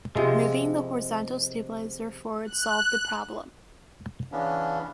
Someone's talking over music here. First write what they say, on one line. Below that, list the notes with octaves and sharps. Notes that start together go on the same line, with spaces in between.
Moving the horizontal stabilizer forward solved the problem.
C3 F3 G#3
F#6
C#3 E3 B3 C#4 D4